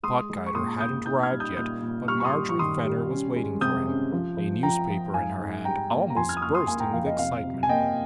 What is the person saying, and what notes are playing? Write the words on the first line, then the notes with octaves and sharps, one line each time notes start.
Pottgeiter hadn't arrived yet, but Marjorie Fenner was waiting for him; a newspaper in her hand, almost bursting with excitement.
G#3 C6 D#6
G#3
C#6
A#2 C6 D#6
A#2 D#6 G6
D#4 D#6 G6
F6 G#6
G3
D#6 G6
A#2 D#6 G6
A#2
G3 C#6 F6
C#6
C6 D#6
G3
C#6
D#3 C6 D#6
G3
C#4
G#3
C3 D#6 G6
C#4
F3
F3
F3 G5 A#5
F3
G#2 F5 G#5
G#2
G3 G5 A#5
A#3
A#5
F2 G#5 C6
F6 G#6
D#6
A#3 C#6 F6
C6 D#6
A#3 G#5 C6
G5 A#5
F2 F5
D#5
C3 F5
C3
G#5
A#3 D#5 G5